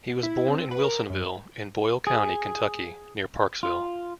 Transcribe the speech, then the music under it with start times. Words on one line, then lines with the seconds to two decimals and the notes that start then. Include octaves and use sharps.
He was born in Wilsonville, in Boyle County, Kentucky, near Parksville.
0.23 E4
0.48 C4
0.71 B4
0.84 A#4
1.10 F#2
2.07 G#4
3.63 F4